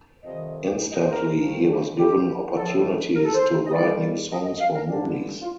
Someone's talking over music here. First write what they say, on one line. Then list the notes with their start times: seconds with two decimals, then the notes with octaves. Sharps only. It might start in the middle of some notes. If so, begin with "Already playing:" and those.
Instantly he was given opportunities to write new songs for movies.
0.24 F2 C3 D#3 G3 D#5
0.92 D#5
1.02 C5
1.11 A#4
1.41 F2 D#3 G3
1.70 G4
1.99 G4
2.57 A2 F3 A4
3.16 A#4
3.25 A4
3.35 C5
3.66 D#5
3.73 F2 D#3 G3 D5
4.32 D#5
4.46 D#5
4.60 F5
4.75 A#4
4.90 G2 D3 G3 D4
5.42 F4